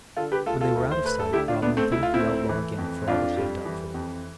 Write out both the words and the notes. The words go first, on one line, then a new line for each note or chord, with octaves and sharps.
When they were out of sight, Robin thanked the outlaw again for all that he had done for them.
D3 F4 A4
G4 B4
D2 F4 A4
F4 A4
D2
C5
A3 B4
A4
D3 E4 G4
D4 F4
D2 B3 D4
A3 C4
D2 E4
F4
C4 E4
A3
E3
F2
F2 D4 F4
G3
E3
F2